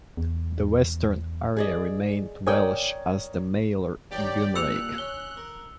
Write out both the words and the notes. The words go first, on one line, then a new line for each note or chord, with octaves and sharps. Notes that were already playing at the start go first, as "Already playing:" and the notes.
The western area remained Welsh as the Maelor Gymraeg.
E2
G#4 D5 D#5
A#4 C#5 D5 G5 G#5 D#6
G2 D#3 F#3 G4 D5 G5
G2 A#2 E6 F#6 C#7 F7
C#4 G7
A#4